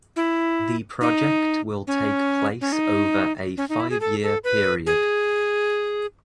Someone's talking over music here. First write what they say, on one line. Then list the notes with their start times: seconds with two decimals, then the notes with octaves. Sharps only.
The project will take place over a five-year period.
0.16 E4
1.01 D#4
1.87 C#4
2.61 C#4
2.72 D#4
3.57 C#4
3.69 D#4
3.80 E4
3.90 G#4
4.01 A4
4.23 A4
4.44 B4
4.87 G#4